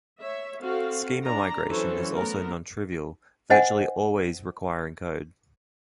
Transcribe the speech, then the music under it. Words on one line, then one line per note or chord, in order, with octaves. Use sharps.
Schema migration is also non-trivial, virtually always requiring code.
C#5 E5
C4 F#4 A4 F5
D4 D5 A#5
E3 F#3 C#4 A4 C5 C#5
A3 B3 A#4
C5 D#5 F#5 G#5